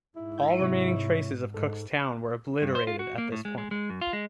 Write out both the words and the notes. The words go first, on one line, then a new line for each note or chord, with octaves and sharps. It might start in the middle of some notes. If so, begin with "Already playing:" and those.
All remaining traces of Cooke's town were obliterated at this point.
G#2 E4
C3 C#5 C#6
G#2 A4
G2
C5
F4
F#4
A#3
A2
G#3
G#3
G#3
F#2
F4
G#3